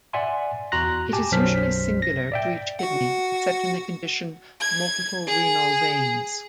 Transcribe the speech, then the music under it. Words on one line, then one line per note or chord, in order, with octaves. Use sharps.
It is usually singular to each kidney, except in the condition "multiple renal veins".
D5 E5 F#5 G#5 C6
E2 F#4 A#5 C6 F#6 A#6
G4 G#5 A5
B1 F#2 F#3 C5 F6 B6
A#6
D5 E5 G5
F#4 F#5
G#6
G#4